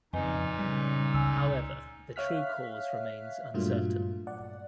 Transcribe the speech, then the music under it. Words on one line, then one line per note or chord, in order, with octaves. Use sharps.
However the true cause remains uncertain.
F2 A#2 C#3 D#4 B4 D#5 G#5
C#3 G3
C#2 G#5 E6
C#5 E5 F5 F6 F#6 B6
G2 A#2 F#3 A3 F4
D5 F#5